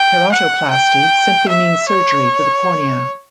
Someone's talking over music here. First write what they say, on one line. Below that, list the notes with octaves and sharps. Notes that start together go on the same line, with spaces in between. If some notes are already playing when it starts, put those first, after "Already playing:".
Keratoplasty simply means surgery to the cornea.
Already playing: G5
F#5
G5
E5
C#5